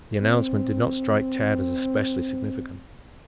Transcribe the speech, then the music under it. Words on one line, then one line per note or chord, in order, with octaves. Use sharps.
The announcement did not strike Tad as especially significant.
C4